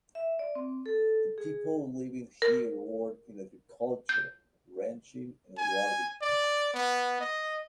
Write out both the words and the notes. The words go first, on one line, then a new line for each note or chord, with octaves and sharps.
The people living here worked in agriculture, ranching and logging.
E5
D5
C4
A4
G#4
A#4
G6
G#5
D5
B3
D#5